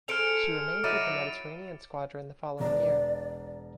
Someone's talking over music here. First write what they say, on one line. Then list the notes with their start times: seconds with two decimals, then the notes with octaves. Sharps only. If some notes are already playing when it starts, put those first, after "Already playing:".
She remained with the Mediterranean Squadron the following year.
0.08 G#4 A4 C5 F6 D7 F7
0.27 C#7 D7
0.84 F#3 D#4 E4 D6 A6 D#7
2.60 E1 D5 A#5